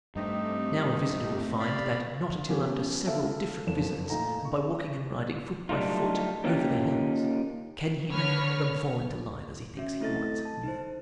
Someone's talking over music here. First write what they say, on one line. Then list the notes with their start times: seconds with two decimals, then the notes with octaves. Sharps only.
Now a visitor will find that not until after several different visits, and by walking and riding foot by foot over the hills, can he make them fall into line as he thinks he once knew them.
0.16 G2 A3 C4 D#4 G4
1.60 D5 F5 B5
2.49 F3 B3 C#4 G4
3.07 A4 E5 F5
3.67 F#1 F2 A4 E7
4.10 A#2 A3 D#4 A#5
4.45 C#6
5.69 F#3 G3 A3 D4 D#4 F4
6.44 A#3 C#4 D#4 F4 G4
8.11 D3 B4 C#5 F6
9.77 C#4 F#4 E5
10.00 A3 C4 E4 A4 D#5 A6
10.45 A5
10.63 D#4 C5